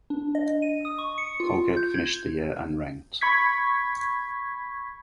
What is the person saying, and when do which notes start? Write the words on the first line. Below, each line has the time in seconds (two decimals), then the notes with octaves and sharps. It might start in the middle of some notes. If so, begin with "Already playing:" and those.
Colgate finished the year unranked.
0.10 D4
0.35 D#5
0.62 D#7
0.85 D#6
0.98 C#6
1.18 C#7
1.40 F4
1.77 G6
1.95 G#6
3.21 B5 C#6 G#6 B6